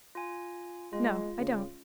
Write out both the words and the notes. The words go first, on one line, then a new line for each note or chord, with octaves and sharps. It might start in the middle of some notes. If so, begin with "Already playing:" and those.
"No, I don't."
F4 G#5
G#3 F4
C#3